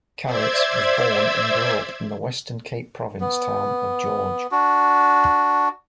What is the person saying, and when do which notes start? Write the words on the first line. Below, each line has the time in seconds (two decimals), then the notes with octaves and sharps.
Calitz was born and grew up in the Western Cape Province town of George.
0.25 C5 D5 E5 E6 G#6
3.21 B3
4.51 D4 F#4